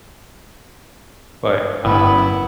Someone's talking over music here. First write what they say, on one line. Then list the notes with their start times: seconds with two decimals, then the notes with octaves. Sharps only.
But, um
1.85 G1 B3 E4 B5